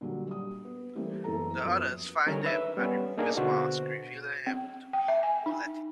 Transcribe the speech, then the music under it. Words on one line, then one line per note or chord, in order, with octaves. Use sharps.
The others find him and remove his mask, revealing him to be Moletti.
A#2 D3 F#3 G3
G3 D#6
B3
E3 G3 A3 A#3 C4
F#1 E3 B3 A4 A#5
F#2 F3 B3 D#6
D3 D#3 G3 C#4 A#4 C#5
B4 E5
G3 B3 C#4
A#3 D4 D#4 G#4 A#4
B2 D3 F#4 C5
C4
G5
E5
G#5
D#4